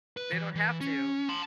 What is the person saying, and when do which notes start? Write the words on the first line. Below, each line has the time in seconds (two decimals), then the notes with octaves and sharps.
they don't have to
0.17 B4
0.32 E3
0.55 E3
0.81 C#4
1.29 A5 C6